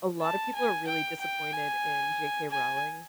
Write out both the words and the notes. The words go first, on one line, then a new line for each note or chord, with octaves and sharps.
a lotta people are really disappointed in J.K. Rowling,
A5
G#5
G5
G5
G#5
G#5